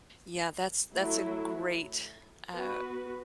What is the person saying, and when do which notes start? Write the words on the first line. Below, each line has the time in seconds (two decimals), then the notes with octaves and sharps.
Yeah, that's that's a great, uh,
0.93 F#3 A3 E4
2.52 B3 F#4 B4